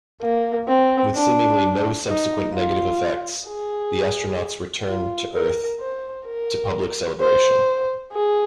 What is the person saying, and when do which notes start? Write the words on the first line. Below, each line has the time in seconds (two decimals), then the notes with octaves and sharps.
With seemingly no subsequent negative effects, the astronauts return to Earth to public celebration.
0.22 A#3
0.67 C4
1.15 D4
2.08 D#4
2.54 F4
3.47 G#4
4.87 F4
5.34 A#4
5.80 C5
6.26 A#4
7.20 C5
8.13 G#4